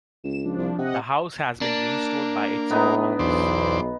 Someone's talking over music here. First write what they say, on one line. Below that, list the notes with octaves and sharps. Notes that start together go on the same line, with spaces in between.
The house has been restored by its owners.
C#2 E7
F3 D4
C2
C3 D#5 F#5
A#3 D4
A2 B3 D#4
B1 E2 C5 D5